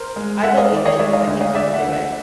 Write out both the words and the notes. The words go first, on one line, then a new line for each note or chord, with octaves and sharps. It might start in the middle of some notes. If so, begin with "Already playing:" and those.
I believe in you. I think you can do it.
Already playing: A#4 C5
G#3
G#3 E5 F#5
D#5 F5
D#3 D5
C#5 D#5
G#3 D5 E5
D#5 F5
D2
D#5 F5
D2 D5 E5
E5 F#5
D2
E5 F#5